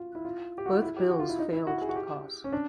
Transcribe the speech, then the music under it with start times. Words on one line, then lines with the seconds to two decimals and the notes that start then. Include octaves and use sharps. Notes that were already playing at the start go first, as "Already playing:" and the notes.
Both bills failed to pass.
Already playing: F4 F#4
0.15 E4
0.25 F4
0.58 G4
0.66 F#4
0.73 F4
0.82 E4
0.96 G4
1.10 F#4
1.19 F4
1.29 E4
1.39 D#4
1.53 E4
1.67 F#4
1.82 G#4
1.89 F#4
1.96 G4
2.44 C#4
2.52 D4